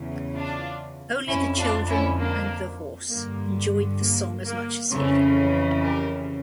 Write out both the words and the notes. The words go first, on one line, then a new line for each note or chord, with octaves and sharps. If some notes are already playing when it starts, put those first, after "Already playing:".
Only the children and the horse enjoyed the song as much as he.
Already playing: E2 C#3 E3
D4 F4
F2 D3 C#4 E4
D4 F4
C#4 E4
A#3 D4
G2 D3 A#3
A#3
A#3
F2 C#3 E3 A3 C#4
G4 A#4